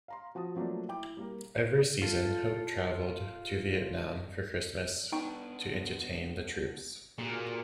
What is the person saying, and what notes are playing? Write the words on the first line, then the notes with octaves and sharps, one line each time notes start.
Every season, Hope traveled to Vietnam for Christmas, to entertain the troops.
F5 A#5 C6
F3 F#4 A5 D#6
F3 F#3 A3 A#3 D4
E4 G5 D6
G3 A#3 A#4
F4 A4
B3 D4 D#4 G5 C#6
A#2 F#4 G#4 A4